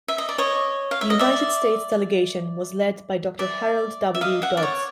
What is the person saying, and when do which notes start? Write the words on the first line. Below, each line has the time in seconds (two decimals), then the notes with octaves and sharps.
The United States delegation was led by Doctor Harold W. Dodds.
0.08 E5
0.18 D#5
0.29 D5
0.38 C#5 D#5
0.91 F5
1.01 E5
1.10 D#5
1.19 D5 E5
3.39 D5 E5
4.15 E5
4.21 D#5 F5
4.42 E5 F#5
4.57 D5
4.63 C#5